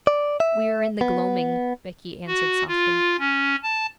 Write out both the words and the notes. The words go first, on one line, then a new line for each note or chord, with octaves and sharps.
'We are in the gloaming,' Becky answered softly.
D5
E5
B3
F#4
F4
C#4
A5